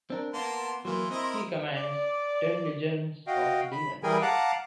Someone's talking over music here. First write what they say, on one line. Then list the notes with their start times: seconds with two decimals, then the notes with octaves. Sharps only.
He commands ten legions of demons.
0.10 C4 D4 A#4
0.34 A#3 B3 A5 C6
0.85 E3 F#3 A#3 C6
1.11 C4 E4 A#4 D#5
1.77 D5
3.27 F#4 D#5 F5 G5
3.72 B5
4.03 E3 G3 G#4 A#4 G5 G#5
4.22 F5 F#5 A5 A#5 D6 F#6